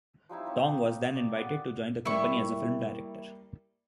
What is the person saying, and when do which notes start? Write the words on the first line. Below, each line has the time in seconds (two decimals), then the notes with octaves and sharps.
Tong was then invited to join the company as a film director.
0.29 F3 G3 D#4 E4
0.45 C4 D#4 G4 C#5
1.16 D5
1.37 B3
2.05 G3 A#3 E4 D5 C#6